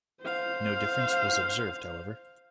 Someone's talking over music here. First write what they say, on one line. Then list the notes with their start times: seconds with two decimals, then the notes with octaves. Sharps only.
No difference was observed, however.
0.23 C5 F5